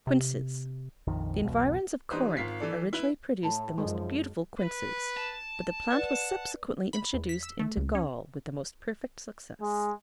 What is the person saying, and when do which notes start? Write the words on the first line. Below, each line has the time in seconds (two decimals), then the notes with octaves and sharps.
QUINCES.--The environs of Corinth originally produced the most beautiful quinces, but the plant was subsequently introduced into Gaul with the most perfect success.
0.07 C3
1.07 A#1 F2 D#3
1.45 E1 B1 B2
2.11 E3 G3 D4 D#4 B4 C5
2.37 G#1 F4 B6 C7
2.60 E3 A4 D5
2.93 E4 B4
3.43 A2 A5 B5
3.78 F#2 C3 D#3 F3 G#3
4.60 B4
5.17 A5
5.91 B4 D5 F#5
6.93 B5
7.14 E2
7.29 B6
7.43 E6
7.60 A3
7.77 C#2
7.95 C#4
9.61 G#3